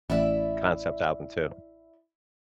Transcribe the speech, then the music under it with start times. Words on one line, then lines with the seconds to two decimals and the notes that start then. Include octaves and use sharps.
concept album too.
0.10 A1 E4 D5 E5